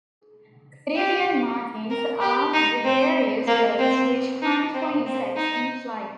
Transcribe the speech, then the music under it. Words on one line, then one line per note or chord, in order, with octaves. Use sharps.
Caribbean martins are gregarious birds which hunt for insects in flight.
G4
A#4
G4
D#4
C4
A#3
C4
D#4
C4
C4
D#4